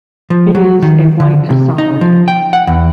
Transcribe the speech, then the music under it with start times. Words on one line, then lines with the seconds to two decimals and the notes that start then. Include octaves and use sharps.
It is a white solid.
0.30 F3
0.55 F#3
0.82 D#3
1.20 D3
1.50 C3
1.78 D#4
2.01 F3
2.28 G5
2.53 F#5
2.67 E2